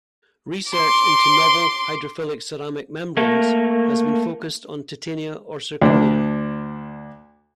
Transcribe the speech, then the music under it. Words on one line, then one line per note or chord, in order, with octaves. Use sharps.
Research into novel hydrophilic ceramic membranes has been focused on titania or zirconia.
C6 D6
A3 A#3
D2 D4